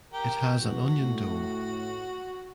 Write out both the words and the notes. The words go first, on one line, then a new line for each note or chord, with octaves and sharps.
It has an onion dome.
G4 A#4 G5
E2 F#4
A2